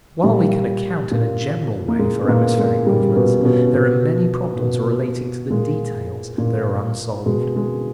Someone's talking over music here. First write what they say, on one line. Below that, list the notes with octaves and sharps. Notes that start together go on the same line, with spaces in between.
While we can account in a general way for atmospheric movements, there are many problems relating to the details that are unsolved.
A#2 G3
A#2
A#3
A#2 G#3
B3
A#2 A#3
G#3
A#2 G3
B2 B3
C#4
B2 B3
B2
B2
A#2 G#3
A#2
B2 G#3
G#3